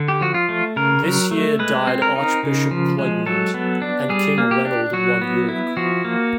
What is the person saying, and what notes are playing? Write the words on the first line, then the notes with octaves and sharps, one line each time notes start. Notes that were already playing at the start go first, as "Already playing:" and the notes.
This year died Archbishop Plegmund; and King Reynold won York.
Already playing: D3
G4
F3 F#4
F4
A3
C#3 A#4
F#3
A3
G#3 B4
C4
A#4
D#4
C#3
F3
G#3
F#3 A4
B3
D4
G3 G#4
A#3
G4
D4
F#3 F#4
B3
E4
F3 F#4
A#3